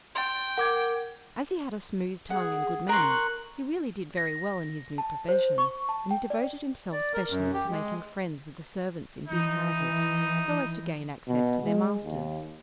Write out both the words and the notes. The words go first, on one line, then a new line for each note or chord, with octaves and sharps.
As he had a smooth tongue and good manners, he really did very well in his new profession, and he devoted himself specially to making friends with the servants in big houses, so as to gain access to their masters.
G5 C6 A6
A#4 F#5 D6 G#6
G#4 F#5
A#4 C6 C#6 F#6
A#6
A5
C5
C#6
A5
G5
D5
D5
A#4
F#2
G4
G#3
E3 D#4
B2
G#3
D#2